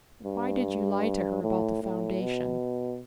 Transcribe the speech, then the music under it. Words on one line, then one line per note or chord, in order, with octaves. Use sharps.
"Why did you lie to her about the Foundation?"
G2
A2
A2
B2